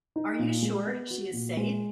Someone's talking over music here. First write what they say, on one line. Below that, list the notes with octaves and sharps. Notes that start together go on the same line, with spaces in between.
Are you sure she is safe?
D#4
A#2
G#3
B3
F#4
A#2
G#3